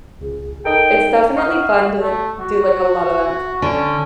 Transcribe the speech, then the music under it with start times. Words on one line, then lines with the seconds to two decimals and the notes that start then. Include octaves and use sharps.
It's definitely fun to do, like, a lot of that s
0.21 C#2 G#4
0.65 D#4 A4 A#4 D#5 G5
1.37 F5 F#5 C#6 D#6
2.00 A3
2.41 F#4
3.62 D3 C#4